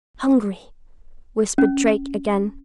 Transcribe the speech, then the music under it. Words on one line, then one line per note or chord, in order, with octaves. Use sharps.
"Hungry," whispered Drake again.
C#4